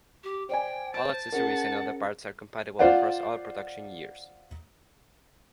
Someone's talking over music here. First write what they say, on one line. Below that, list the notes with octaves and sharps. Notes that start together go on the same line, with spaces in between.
All accessories and other parts are compatible across all production years.
G4
C5 D5 G5 G#5
C5 A5 D7
C#4 G#4 A#4 F#5
F4 C5 D5 F5 F#5